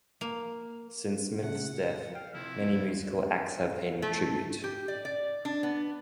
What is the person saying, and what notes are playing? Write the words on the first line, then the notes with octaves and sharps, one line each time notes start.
Since Smith's death, many musical acts have paid him tribute.
A#3
A#2 C#3 A3 F#5
F5 G5
C3 F3 E4
A3
G4
D5
D5
D4
B3